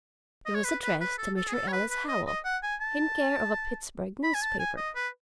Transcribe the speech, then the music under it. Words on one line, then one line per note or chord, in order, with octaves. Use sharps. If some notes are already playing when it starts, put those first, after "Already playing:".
It was addressed to Mr. Ellis Howell, in care of a Pittsburgh newspaper!
D#5
C#5
B4
B4
B4
A4
A4
G#4
A4
C#5
B4
B4
D#5
D#5
F#5
G#5
A5
B5
G#5
A5
G#5
D#5
B4